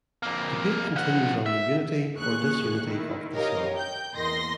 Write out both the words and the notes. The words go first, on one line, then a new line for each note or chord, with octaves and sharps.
Debate continues on the unity or disunity of the Song.
F2 A#3
F3 F#5
E5
D#2 G#4 C#6 F#6
D#3 E4
G4 A#4 C#5 D#5 F5
G5 G6
E2 A#3 D#5 C6 A#6